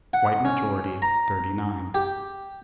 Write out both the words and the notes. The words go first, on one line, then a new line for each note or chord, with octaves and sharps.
White majority, thirty-nine.
F#5
C#4
A#5
G4